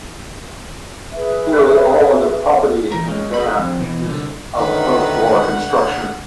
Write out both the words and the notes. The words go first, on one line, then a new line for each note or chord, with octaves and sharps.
Nearly all of the property in Van is of post war construction.
G#4 B4 E5
E3 A#4
G#3 C#4
G#4 B5
F3 C4
B2 E3
C2 D3
F#2 D3 D#3 A3 B4 F#5